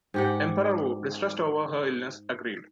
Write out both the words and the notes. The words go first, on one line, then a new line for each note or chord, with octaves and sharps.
Emperor Wu, distressed over her illness, agreed.
G#2 G4 F#5